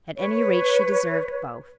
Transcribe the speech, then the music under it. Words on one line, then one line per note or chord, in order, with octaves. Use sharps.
At any rate she deserved both.
B4 C#5